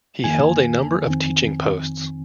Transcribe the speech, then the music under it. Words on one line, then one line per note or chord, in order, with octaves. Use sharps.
He held a number of teaching posts.
F2 D#3 A#3 G#5
F2 D#3 C4